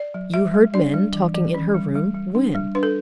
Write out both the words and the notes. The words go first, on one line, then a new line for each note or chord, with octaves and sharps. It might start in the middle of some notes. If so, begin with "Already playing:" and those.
"You heard men talking in her room--when?"
Already playing: D5
F#3
G3 E5
G3
D4 D5
G3
E3
E3
C#4
G3
G3
G3
D4
G3
D4 B4
A4